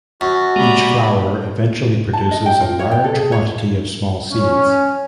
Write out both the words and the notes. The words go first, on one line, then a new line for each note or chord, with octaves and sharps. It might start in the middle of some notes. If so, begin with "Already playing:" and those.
Each flower eventually produces a large quantity of small seeds.
F#2 F#4
G#3 A#3 G4 D5 B5
A5
D#5
G5
F4
C#5
G5
A4
G#4
C#5
C#4